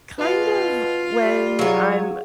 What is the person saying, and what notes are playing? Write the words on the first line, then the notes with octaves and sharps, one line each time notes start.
Kind of when I'm
B2 F4
G3
F#3 G#4 C#5 F5 F#5